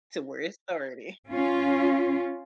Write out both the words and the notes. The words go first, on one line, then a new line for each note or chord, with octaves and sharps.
to where it started.
C#4 F4